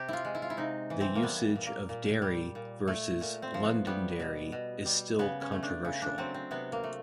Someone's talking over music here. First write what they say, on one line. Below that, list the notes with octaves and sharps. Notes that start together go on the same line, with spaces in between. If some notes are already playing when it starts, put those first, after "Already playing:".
The usage of "Derry" versus "Londonderry" is still controversial.
Already playing: C3 G4
E4 F4
G#3
E4
F4
E4
C3 D#4
E3
C4
A#3
G3 B3
A#2
A#3
A#2
G3
A#2
A3
A#2
C4
F3
B3
G3 B3
B2
B2
G3
C#3 B3
C#4
A3
D4
C#3
D4
F#3 C4
C4
C3 B3
A#3
A3